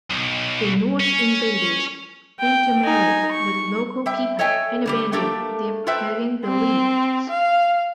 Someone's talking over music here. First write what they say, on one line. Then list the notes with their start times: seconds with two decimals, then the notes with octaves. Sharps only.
The Norse invaders intermarried with local people and abandoned their pagan beliefs.
0.10 B1
1.00 C#4
2.40 G5
2.84 D#4 G#5
3.32 C#6
4.06 G3 E5 G5
4.39 A4 C#5 D#5 E5 G5 G#5
4.86 D3 G3 G4
5.12 A3 A#3 D4 G4 A4 A#4
5.86 F4 A4 B4 C5 E5 G5
6.44 C4
7.29 F5